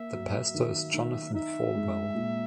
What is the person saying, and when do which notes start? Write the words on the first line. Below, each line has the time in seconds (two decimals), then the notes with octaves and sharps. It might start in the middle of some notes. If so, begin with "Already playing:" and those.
The pastor is Jonathan Falwell.
Already playing: A#3 E5
0.13 F#3
0.54 D#3
0.94 D#3
1.34 D#4 E5
1.75 G#3
2.15 A#2